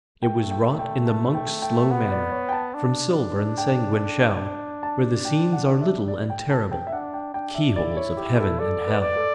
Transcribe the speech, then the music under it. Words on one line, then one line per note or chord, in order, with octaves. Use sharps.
It was wrought in the monk's slow manner, From silver and sanguine shell, Where the scenes are little and terrible, Keyholes of heaven and hell.
A3 G5
G5
G5
A5
G5
G5
B3 F#5
D5
C#5
G5
A5
D4
G5
A5
G5
F#5
E5
D5
G5
A5
G5
E5
D4 F#5
G5
D4 G5
E5
E4 D5
C#5
G4
A4
A4 D5
B4
D5
A4